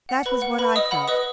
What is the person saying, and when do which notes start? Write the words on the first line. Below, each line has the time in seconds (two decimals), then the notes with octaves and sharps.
That was what I felt.
0.09 F#5
0.26 B4 B5
0.42 F#5
0.58 B4 B5
0.76 D#5 D#6
0.91 F#5 B5
1.08 B4 D#5 D#6